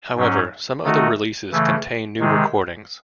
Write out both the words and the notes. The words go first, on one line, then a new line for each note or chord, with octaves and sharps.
However, some other releases contain new recordings.
G#2 F#3 C#4
D#3 A3 D#4 F#4
C#3 E3 A3
C3 D#3 G#3